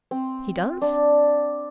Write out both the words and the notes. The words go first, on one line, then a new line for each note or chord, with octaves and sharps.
"He does?"
C4
D4